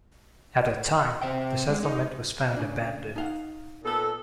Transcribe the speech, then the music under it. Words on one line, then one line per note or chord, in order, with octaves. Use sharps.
At that time, the settlement was found abandoned.
C3 C5 E5 G5
G#3
D#4
C#3 D4
D#4 F5 F#5
A#2 B3 A4